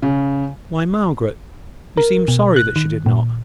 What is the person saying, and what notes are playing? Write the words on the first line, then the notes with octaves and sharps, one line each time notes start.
Why, Margaret, you seem sorry that she did not!
C#3
A#4
B2
F#6
D#3
A#2